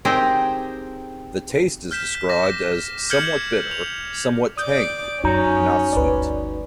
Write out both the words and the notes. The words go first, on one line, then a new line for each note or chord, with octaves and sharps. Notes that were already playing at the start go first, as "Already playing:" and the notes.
The taste is described as "somewhat bitter, somewhat tangy, not sweet".
C4 D#4 G4 G#4 A#4
F6 G6 B6 E7
D6 A#6
F6 G6 G#6 C#7 F#7
F7
D5 D6 D#6 G6
F#2 C#4 D#4 F#4 A#5
G1 D2 B4 D5